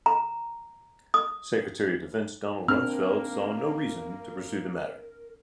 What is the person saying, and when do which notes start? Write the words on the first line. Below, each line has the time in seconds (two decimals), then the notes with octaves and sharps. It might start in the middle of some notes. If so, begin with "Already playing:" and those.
Secretary of Defense Donald Rumsfeld saw no reason to pursue the matter.
0.06 A#5
1.14 D#6
2.68 A#3 C4 D4 A#4 F6